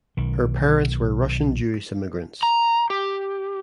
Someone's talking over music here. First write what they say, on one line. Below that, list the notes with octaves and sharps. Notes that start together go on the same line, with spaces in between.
Her parents were Russian Jewish immigrants.
B1 D#3
A#5
G4